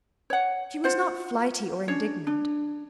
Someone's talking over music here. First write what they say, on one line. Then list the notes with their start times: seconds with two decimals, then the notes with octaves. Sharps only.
She was not flighty or indignant.
0.30 C#5 F#5
0.84 F4 C5 F#5
1.88 C#4 D4 C#5
2.27 D4